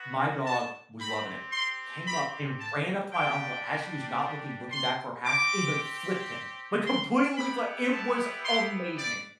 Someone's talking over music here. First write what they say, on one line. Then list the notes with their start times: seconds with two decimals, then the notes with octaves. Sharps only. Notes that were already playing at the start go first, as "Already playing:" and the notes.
my dog was loving it, came up and ran up to my uncle as he was not looking, looking back for a pass and, like, flipped him, like, completely flat, it was amazing.
Already playing: B3 F#4
0.46 A5
0.99 C4 G4 B5
1.52 C6
2.06 B5
2.58 A5
3.12 G3 D4 G4 G5
4.71 C6
5.25 C4 G4 D6
6.85 C6
7.38 B3 E4 G4 B5
7.91 A5
8.45 C6
8.98 D5